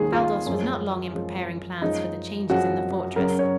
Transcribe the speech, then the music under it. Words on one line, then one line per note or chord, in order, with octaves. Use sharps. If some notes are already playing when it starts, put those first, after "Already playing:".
Baldos was not long in preparing plans for the changes in the fortress.
Already playing: D#2 D#3 G#3 G#4
F4
F#2 F3 G#3
F#2 F3 G#3
F#2 F3 G#3 D#4
F#2 F3 G#3 F#4
F#2 C#3 F#3 A#4
C#5